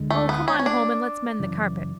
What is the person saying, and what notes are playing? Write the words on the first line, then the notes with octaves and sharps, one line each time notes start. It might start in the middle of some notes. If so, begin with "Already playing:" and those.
'Oh, come on home and let's mend the carpet.
Already playing: D2 D3 G#3
A3
B3
C#4
C#4
D4
F#1 F#2 C#3 E3